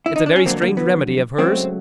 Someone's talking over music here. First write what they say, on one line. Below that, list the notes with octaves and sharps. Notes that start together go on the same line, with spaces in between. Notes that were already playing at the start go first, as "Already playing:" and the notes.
It's a very strange remedy of hers.
E4
D#4
D4
C#4
F2 D3 F#3 A#3 C4
A#3
B3
C#2 C#3 F#3 A3 C4